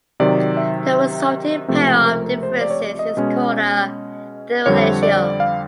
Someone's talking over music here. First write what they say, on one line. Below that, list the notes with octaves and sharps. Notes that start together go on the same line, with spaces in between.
The resulting pair of differences is called a differential.
C3 D#3 F#3 D5
E5
C#2 C3 F3 A3 C4
A4
A#4
A#4
C5
D5
C#5
D5
D#5
B2 G#3 C#4
F2 D3 G3 C4 C#5
D5
F5